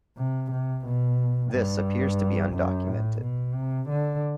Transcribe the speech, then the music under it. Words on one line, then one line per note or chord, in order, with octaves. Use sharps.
This appears to be undocumented.
C3
C3
B2
G2
F#2
A2
B2
C3
D3